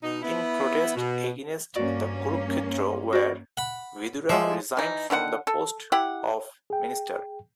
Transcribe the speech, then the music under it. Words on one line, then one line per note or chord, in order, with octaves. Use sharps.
In protest against the Kurukshetra War, Vidura resigned from the post of minister.
B2 D#4
B3 E4
B2
G2 A#3 C#4 F#4 D5
F#4 D5
F#5 B5
F3 G#3 D5 E5
E3 D#4
D3 D#3 E4 F#5
A4
E4 G4 F#5
G#4 G5